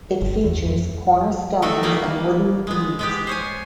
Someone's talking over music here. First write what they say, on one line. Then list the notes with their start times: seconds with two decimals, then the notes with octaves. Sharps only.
It features corner stones and wooden eaves.
0.22 G1
0.44 E2
0.64 F2
1.62 D#3 A3 F#4 A4
1.83 E3 G3 A#3 B3
2.67 G#3 B3
2.99 G#3 B3 G4
3.27 C5 C#5 G#5